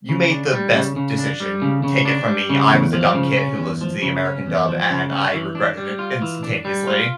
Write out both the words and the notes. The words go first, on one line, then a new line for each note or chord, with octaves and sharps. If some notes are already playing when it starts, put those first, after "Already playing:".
You made the best decision. Take it from me, I was a dumb kid who listened to the American dub, and I regretted it instantaneously.
C#3
D4
G3
C#3
C#3
D4
G3
C#3
C#3
D4
G3
C#3
E2
F3
C#3
C#4
E2
F3
C#3
C#4
E2
F3
C#3
C#4
E3
D4
G3
F4
E3
D4
G3
F4